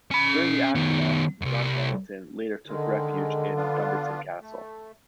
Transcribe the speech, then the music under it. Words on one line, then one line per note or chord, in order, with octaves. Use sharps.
During the aftermath, John Hamilton later took refuge in Dumbarton Castle.
C#4 B5
D#3 B3
C2 F#2
D3 D#3 G#3
B3 D4 F4
A3